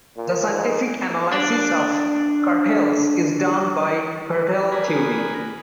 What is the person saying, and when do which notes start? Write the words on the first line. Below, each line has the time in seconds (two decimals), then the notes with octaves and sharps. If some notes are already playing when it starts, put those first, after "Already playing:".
The scientific analysis of cartels is done by cartel theory.
0.17 A#2
0.51 G#2
1.32 D4 D5
4.72 G#4 A#4 B4